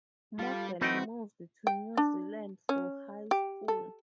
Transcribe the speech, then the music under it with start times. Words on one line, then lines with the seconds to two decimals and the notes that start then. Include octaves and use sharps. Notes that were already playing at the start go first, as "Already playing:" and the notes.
Morgan moved to New Zealand for high school.
0.39 G3 F4 A4
0.81 E3 A3 C4 D#4 F#4 G5 B5
1.67 G5
1.97 D4
2.69 C#4
3.31 G4
3.68 A4